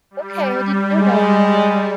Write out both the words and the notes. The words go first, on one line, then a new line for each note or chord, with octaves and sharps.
Okay, I didn't know that.
G3
G#3